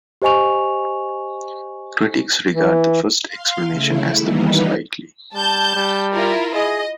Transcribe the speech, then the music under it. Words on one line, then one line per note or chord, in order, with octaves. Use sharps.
Critics regard the first explanation as the more likely.
G4 C5 D#5 G#5 C#6 F7
E3
F5 C6
C#3 A3 E4
D#3 E3 G3 A#3 B3 D#4
G3 A5 G6
G3
E4 F4 A#4
G#4 D#5